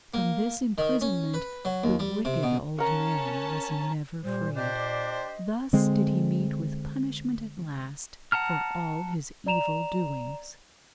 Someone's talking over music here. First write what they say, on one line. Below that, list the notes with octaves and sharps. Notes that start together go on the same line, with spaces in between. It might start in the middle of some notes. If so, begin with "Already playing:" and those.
From this imprisonment the wicked old man was never freed. Thus did he meet with punishment at last for all his evil doings.
A#3
D#3
C#4
B4
F#3
D#2
G3
C3
B2
C#4 A#4 F#5 A5
A#2 G3 C5
D4 G4 C5 D5 D#5
D3 G#3 C4
F#5 A5 A#5 F6
D5 A#5 E7 F7